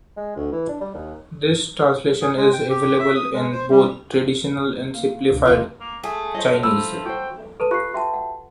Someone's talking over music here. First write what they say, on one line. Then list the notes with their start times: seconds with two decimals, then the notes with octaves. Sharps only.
This translation is available in both traditional and simplified Chinese.
0.17 G#3
0.36 D2
0.52 E3
0.69 D4
0.81 G3
0.94 D#2
2.21 G#4
2.37 G#3
2.53 G5
2.69 G4
2.99 E5
3.15 D#6
3.33 G#3
3.52 C5
3.71 G3
4.94 A#3
5.31 C#2 B2 D3
5.45 F#1 D#2 C3 F3 G4 A#4
5.81 A#3
6.04 A3 G#4 G#5
6.35 C5 C#5 D#5
6.63 F3 B5 E6
7.05 F#4 C5 G5
7.60 A4 B4 A5
7.71 F4 G4 F5 F#6 C7
7.94 F#4 E5 G5 A5
8.14 F#5